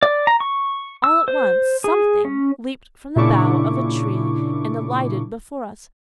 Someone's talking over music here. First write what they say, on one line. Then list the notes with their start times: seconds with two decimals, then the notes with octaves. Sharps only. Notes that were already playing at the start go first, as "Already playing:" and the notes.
All at once--something--leaped from the bough of a tree and alighted before us.
0.03 D5
0.27 A#5
0.40 C#6
1.04 E6
1.28 C5
1.84 G#4
2.25 C#4
3.16 A#2 C#3 D4 E4 C#6 D6